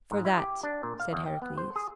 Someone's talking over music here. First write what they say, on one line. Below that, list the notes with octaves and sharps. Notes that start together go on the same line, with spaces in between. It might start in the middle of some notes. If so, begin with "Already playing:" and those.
"For that," said Heracles.
G#2
E4
G4
D4
A#2
F5
E2
G5
B3
C5
G#4